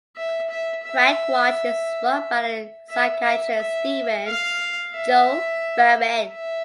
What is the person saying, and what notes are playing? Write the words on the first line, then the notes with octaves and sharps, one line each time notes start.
Quackwatch is run by the psychiatrist Stephen Joel Barrett.
E5
E5
E5
E5
E5
E5
F5
E5
E5